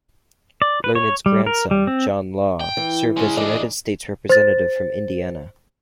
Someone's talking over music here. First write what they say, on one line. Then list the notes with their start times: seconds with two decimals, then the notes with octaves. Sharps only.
Learned's grandson, John Law, served as United States Representative from Indiana.
0.62 D5
0.84 B4
0.95 C#5
1.26 G3
1.46 A#4
1.71 G3
1.87 C4
2.61 G5
2.77 E3
3.17 G#3 C#4
3.37 E3 D4 G#4 D#5
4.29 C5 A6